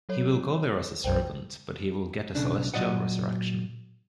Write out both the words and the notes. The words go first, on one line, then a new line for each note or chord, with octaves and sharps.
He will go there as a servant, but he will get a celestial resurrection.
F#3 A4 C#5
B1 F#2 C5 G5
B1 C#3 D4
A#2 F#3 D5 D#5 F#5